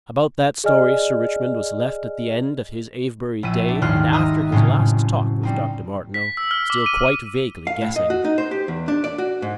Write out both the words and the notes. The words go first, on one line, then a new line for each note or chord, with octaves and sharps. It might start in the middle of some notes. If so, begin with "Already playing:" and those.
About that story Sir Richmond was left at the end of his Avebury day and after his last talk with Dr. Martineau, still quite vaguely guessing.
G#4 D5 D#5 G#5 F6
A#1 E4 E5 D#7
D4
G#1 D#2 G3 C6 F6 F#6
D#5 E5 A#5 D#6
F#1 A2 C4 C#4
G3 C4 D#4
B6
E6
F6
D6
D#7
F5
A2
D#5
F#4
D#4
C5
G4
E2
D4
D5
F#4
G#2